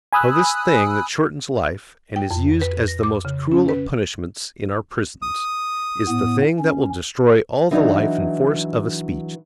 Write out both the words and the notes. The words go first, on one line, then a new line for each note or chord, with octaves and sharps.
So this thing that shortens life, and is used as the most cruel of punishments in our prisons, is the thing that will destroy all the life and force of a speech.
G#5 B5 D#6 E6 F#6
G5
F2
B4
A#6
D6
C#3
C#4
B4
D#6
A2 B3
C#4
E3 F#3 D4 D#4